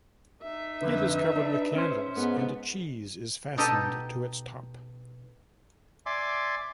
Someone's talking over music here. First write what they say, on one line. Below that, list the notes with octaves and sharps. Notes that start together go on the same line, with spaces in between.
It is covered with candles and a cheese is fastened to its top.
D#4 E5
F2 D3 B4
D4 B4
C#4 C5
G#2 B3
B2 D#4 G4 A4 D#5
D5 E5 G#5 C6 D6